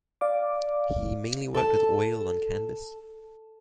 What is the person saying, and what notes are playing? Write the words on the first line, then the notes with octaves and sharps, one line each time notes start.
He mainly worked with oil on canvas.
D5 F5 D6
A4 A5